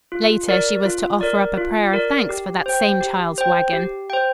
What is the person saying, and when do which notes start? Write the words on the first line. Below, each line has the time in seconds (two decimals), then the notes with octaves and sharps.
Later she was to offer up a prayer of thanks for that same child's wagon.
0.12 F4
0.49 A#4 D5
0.85 F4
1.21 A#4 D5
1.57 F4
1.93 A#4 D5
2.29 G4
2.66 C5 G5
3.01 G4
3.38 C5 G5
3.73 G4
4.10 C5 G5